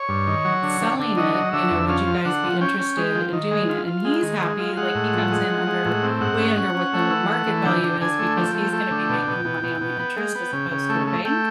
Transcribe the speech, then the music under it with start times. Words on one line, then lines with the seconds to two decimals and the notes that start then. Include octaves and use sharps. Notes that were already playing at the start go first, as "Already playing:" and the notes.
selling it, you know, would you guys be interested in doing it?" And he's happy, like, he comes in under way under what the market value is because he's gonna be making the money on the interest as opposed to a bank.
Already playing: C#5
0.09 G2
0.27 D#3
0.45 F#3
0.63 D3
0.81 D3
0.99 D3
1.17 F#3 D#5
1.35 F#3
1.53 D3 E5
1.71 F2
1.88 C#4 F5
2.07 F3
2.25 D3 F#5
2.43 F3
2.61 C#4 G5
2.79 C#4
2.97 G#3
3.15 F3
3.33 D#3
3.51 G#3
3.69 F4
3.87 F4
4.05 G#3
4.23 D#3
4.41 G#3
4.59 F4
4.77 G#3 F#5
4.95 A2
5.13 F3
5.31 G#3
5.49 F3
5.67 G#3
5.85 A2
6.03 C4
6.20 G#2 F#5
6.38 C#4
6.57 C#4
6.74 C#4
6.93 A3
7.11 E3
7.29 A3
7.47 E3
7.65 D3 G5
7.83 D3
8.01 D3 G#5
8.19 A3
8.37 F3 G5
8.55 A3
8.73 A3
8.91 D3
9.09 B2
9.27 B2
9.45 B2
9.63 B2
9.81 B2
9.99 B3
10.17 G#3
10.35 B3
10.53 C#3
10.71 C#3
10.89 A3
11.07 A3
11.25 A3 G5